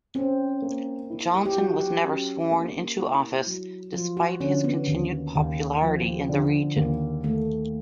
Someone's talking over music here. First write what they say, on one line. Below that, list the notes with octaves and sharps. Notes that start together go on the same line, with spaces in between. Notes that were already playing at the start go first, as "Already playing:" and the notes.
Johnson was never sworn into office, despite his continued popularity in the region.
C4 C#4
A#3
E4
G4
G4
F#3 F#4
G4
C#4
A#3
E4
F#3
F3 F4
F#4
D3 C#4
B3
D#2
D#2
F3
D3
D#2 A#3
D#2 A3